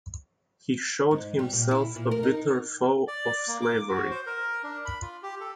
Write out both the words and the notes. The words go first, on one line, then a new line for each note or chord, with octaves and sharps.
He showed himself a bitter foe of slavery.
G#2
G3
A#2
E4
A#2
A#4
D#4
D5
A#3
D6
F#4
C5
A#4
D4
B5
F4
G4
A4